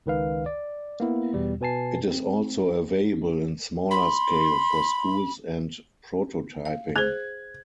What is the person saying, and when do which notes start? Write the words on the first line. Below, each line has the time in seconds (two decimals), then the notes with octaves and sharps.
It is also available in smaller scale for schools and prototyping.
0.06 C#2 D#3 B4 F5
0.46 D5
1.00 A#3 B3 E4
1.34 E2 B2 G3
1.61 B2 B4 G#5 A5 C7
2.07 C4
3.91 B5 C6
6.65 F5
6.96 G#4 C5 F#6 G#6